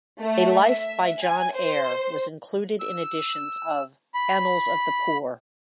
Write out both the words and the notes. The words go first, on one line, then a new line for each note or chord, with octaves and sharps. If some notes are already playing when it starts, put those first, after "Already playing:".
A life by John Ayre was included in editions of "Annals of the Poor".
A3
E5
G#5
C5
E6
B5